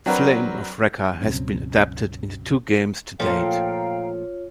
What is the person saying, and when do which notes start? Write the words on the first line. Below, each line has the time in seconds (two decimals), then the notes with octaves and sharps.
"Flame of Recca" has been adapted into two games to date.
0.06 F#3 C4 D4 F#4 A#4 B4
1.21 C#2 G2 B2 F#3 C4 C#4
3.20 A#2 F3 A3 F4 C#5 F5 G5 A#5